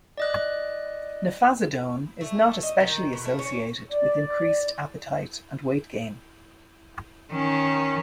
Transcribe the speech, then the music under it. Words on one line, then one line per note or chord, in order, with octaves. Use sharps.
Nefazodone is not especially associated with increased appetite and weight gain.
D5 D#5 F#6
A3
D#5
D#3
B2
A3
C#4
D5
D#3 C#4